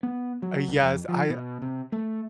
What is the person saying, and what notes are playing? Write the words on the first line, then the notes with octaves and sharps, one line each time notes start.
Uh, yes, I
B3
F#3
C2
F2
F3
B2
C3
A3